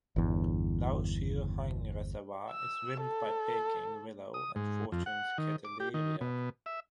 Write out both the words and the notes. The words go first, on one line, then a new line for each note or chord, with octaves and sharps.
Lau Shui Heung Reservoir is rimmed by Peking willow and Fortune's keteleeria.
G1 E2
E6
A4
D#6
G#2
F2
F#5
D#3
D6
G4
D#3
B2
E5